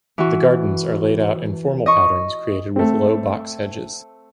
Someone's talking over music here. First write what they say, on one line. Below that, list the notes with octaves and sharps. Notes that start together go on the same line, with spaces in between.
The gardens are laid out in formal patterns created with low box hedges.
E3 F#4
D#5 C#6
A3 C4